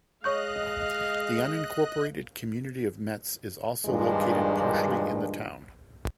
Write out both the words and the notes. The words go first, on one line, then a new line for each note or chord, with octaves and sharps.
The unincorporated community of Metz is also located partially in the town.
G#3 C#5 D#5 F5 C#6 F#6 G6
G2 A#2 D#3 F3 G#3 D4